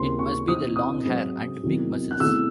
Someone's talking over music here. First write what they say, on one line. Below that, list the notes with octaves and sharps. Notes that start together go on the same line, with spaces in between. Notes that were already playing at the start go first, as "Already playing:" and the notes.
It must be the long hair and big muscles.
Already playing: D#2 C#3 E3 C4 C6
C#6
C3 E3 C4 D#4 D#6
D#6
G#2 F#3 C4
E2 C3 D#3 F#3
F#6
E2 C3 D#3 A3 E6